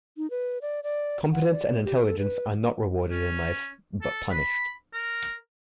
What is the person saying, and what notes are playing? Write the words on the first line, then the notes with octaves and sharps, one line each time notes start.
Competence and intelligence are not rewarded in life but punished.
D#4
B4
D5
D5
F#5
D5
G4
A4
B4
C#4
A4
B5
A#4